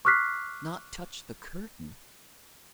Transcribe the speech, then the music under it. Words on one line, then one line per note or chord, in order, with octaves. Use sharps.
Not touch the curtain!
C#6 D6 F6 F#6 B6 C7